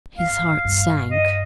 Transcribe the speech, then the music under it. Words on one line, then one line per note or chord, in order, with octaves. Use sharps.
His heart sank.
G#2 F5
G2
D#5